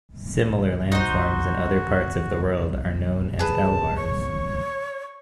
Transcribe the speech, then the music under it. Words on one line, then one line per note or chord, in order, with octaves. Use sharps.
Similar landforms in other parts of the world are known as alvars.
D#4 F#4 C5
G#4 B4 A5
C#5 C#6